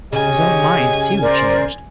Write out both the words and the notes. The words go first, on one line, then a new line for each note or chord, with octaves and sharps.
His own mind, too, changed.
C#3 G4 C#5 D#5 G#5
A#4 C5 D5